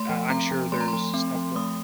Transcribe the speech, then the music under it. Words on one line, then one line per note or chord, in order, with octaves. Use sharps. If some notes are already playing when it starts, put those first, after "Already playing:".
uh, I'm sure there's stuff where
Already playing: A3 C6
F3
C4 A#5
F3
A3 C6
A#5
C6
F3
C4
F3
A3 D#6